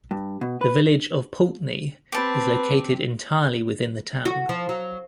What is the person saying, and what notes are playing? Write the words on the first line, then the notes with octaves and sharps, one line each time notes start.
The village of Poultney is located entirely within the town.
G2
B2
B4
C4 G4 B4 A5
F#4
F3
F#3